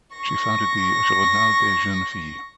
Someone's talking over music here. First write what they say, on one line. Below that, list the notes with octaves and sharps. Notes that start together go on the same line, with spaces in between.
She founded the "Journal des jeunes filles".
C#6 A#6